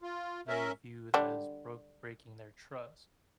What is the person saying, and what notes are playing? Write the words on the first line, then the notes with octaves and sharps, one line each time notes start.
they viewed as broke breaking their trust.
F4
C#4 A#4 E5
D3 G3 D4